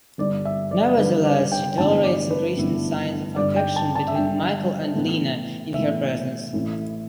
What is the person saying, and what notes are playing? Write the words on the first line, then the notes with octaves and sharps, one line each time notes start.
Nevertheless, she tolerates increasing signs of affection between Michael and Lina in her presence.
G1 G2 G3 D4 D5
E5
D5
G1 G2 G3 D4 B4
D5
G5
A1 G2 D3 B3 E4 A5
D5
B4
A1 G2 D3 B3 E4
G1 G2 G3 D5
G5
A5
A5
E5
G1 G2 G3 G5
A2 E3 B3
A2 E3 B3 E5
A1 A2 A3 E4